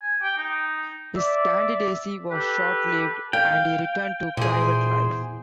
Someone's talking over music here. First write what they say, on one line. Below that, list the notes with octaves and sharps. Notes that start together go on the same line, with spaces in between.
His candidacy was short-lived and he returned to private life.
G#5
G5
D#4
D5 E5
G4 A4 B4
F5 G5
E2 A#2 G#4 C5